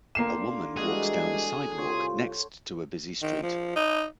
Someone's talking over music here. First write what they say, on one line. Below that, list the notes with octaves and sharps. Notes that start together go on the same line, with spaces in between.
A woman walks down a sidewalk next to a busy street.
D3 A#3 F4 G5 C7 E7
E3 G3 G#3 D4 F#4 G#4 A4
C2 C3 F4 C5 C#5 C6
D#3
F3
D#4